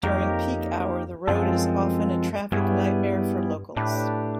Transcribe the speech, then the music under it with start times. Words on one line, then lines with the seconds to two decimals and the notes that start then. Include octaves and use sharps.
During peak hour the road is often a traffic nightmare for locals.
0.03 F2 A#3 D#4 G4 A#4 C#5
1.27 F#2 F3 G#3 C4 F4 A4
2.52 G2 G3 B3 E4 G#4 C#5
3.76 A2 A3 D4 G4 B4